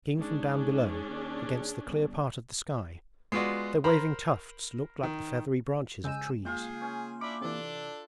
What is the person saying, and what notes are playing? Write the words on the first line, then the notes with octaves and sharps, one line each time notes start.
Seen from down below, against the clear part of the sky, their waving tufts looked like the feathery branches of trees.
G#2 C#4 D4 G#4
D#2
G1
G#3 B3 F4 F#4 D5
A#4 C5 A#5 B5
D#3
C#3 G#3 G#5 E6 G6 E7
A#3 F4 G#4 G5
C#4
D4 E4 D6
C3 E3 D4 A4